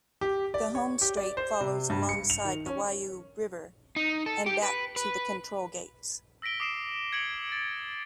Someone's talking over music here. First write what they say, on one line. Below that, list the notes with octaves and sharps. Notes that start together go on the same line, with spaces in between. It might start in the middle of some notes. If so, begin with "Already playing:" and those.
The home straight follows alongside the Waiau River and back to the Control Gates.
G4
D5
C#5
G4
D5
C5
C3
G2
C#7
F7
D#3
C#4
D#4
A4
G4
B4
B4
E6 A#6 B6 D7 G7
D6 D#6 C7 D7 E7
G#6 C#7 D7 F#7 G7
A6